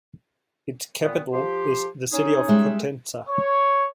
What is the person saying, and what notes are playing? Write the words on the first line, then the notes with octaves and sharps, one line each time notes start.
Its capital is the city of Potenza.
A#2 D#3 B3
F3 G4 C6
C#4 D#4 G#4
G3 G#3 E5
C#5